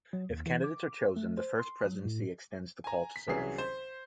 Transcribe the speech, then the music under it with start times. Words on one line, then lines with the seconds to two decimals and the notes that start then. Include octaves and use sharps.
If candidates are chosen, the First Presidency extends the call to serve.
0.13 F#3
0.30 D#2
0.46 E3
0.64 D6
1.16 A3
1.37 C5
1.59 C6
1.86 F#3
2.05 A2
2.84 G#5 A#5
3.16 B6
3.27 C2 E3 F#3 C#4 G#4 C7
3.58 C5